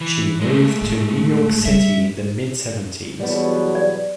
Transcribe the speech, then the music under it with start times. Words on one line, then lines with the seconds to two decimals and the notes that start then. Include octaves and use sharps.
She moved to New York City in the mid-seventies.
0.01 E3
0.41 G#3 A3
0.81 A2
1.65 G3 E5
3.20 E2 B2 F#3 G3 B3
3.75 D5